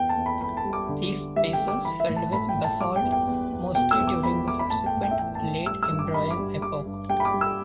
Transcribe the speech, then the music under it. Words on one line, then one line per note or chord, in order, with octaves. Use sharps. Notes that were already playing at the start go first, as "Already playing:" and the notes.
These basins filled with basalt mostly during the subsequent Late Imbrian epoch.
Already playing: E2 G5
A5
E2
B5
E2 B5
A5
G3
D6
D3
G3
G3 E5
G5
G3
D6
E3 B5
E5
A2
A5
A2 B5
G5
A2
A5
G3 D6
G5
E2
G5
E2
E2
B2 G5
E6
E2
D6
E2 B5
E2 D6
B5
A2 A5
G5
A2
G5
E5
E3 G5
A5
A2
G3 E6
E6
G2
D6
G2 B5
D6
G3
G3 D6
G2
G3 G5
B5
D6
G3
E6